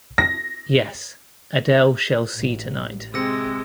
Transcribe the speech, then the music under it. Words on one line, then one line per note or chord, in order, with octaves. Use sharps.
Yes, Adele shall see tonight.
A#6
A1
C3 G#3 C4 E6 A#6 C#7